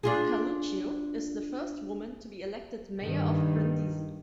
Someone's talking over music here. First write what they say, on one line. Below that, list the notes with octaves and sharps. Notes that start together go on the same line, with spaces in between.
Carluccio is the first woman to be elected Mayor of Brindisi.
D4 F4 G#4
G2 D#3